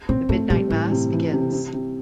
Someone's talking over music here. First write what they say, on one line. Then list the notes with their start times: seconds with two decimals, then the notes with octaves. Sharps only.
The midnight mass begins.
0.09 A#2 C4
0.29 A2 A3
0.50 A#2 G3
0.70 A2 E3
0.91 C3
1.12 E3
1.33 C3
1.52 C3
1.73 C3